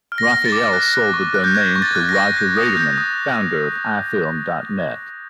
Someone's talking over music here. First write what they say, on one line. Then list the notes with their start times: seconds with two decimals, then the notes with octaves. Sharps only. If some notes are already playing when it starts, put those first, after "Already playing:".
Raphael sold the domain to Rodger Raderman, founder of iFilm dot net.
0.12 F6
0.18 A#6
0.32 F6
0.45 A6
0.52 D6
0.73 F#6
0.94 F#6
1.14 C#6
1.34 F#6
1.44 G6
1.55 F#6 G#6
1.76 C#6
1.82 A6
1.95 F#6
2.09 A#6
2.16 C#6
2.37 G6
2.57 D#6
2.77 G6
2.98 D#6